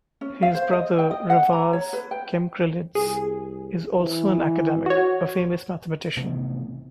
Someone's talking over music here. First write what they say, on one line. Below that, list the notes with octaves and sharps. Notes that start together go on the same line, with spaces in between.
His brother Revaz Gamkrelidze is also an Academic, a famous mathematician.
C#4
F5
C5
D#5
G5
D#5
F#5
A#5
C#5
B4
G5
C2 G#4
E3
F#4 C#5
A1 C3 D#3 B3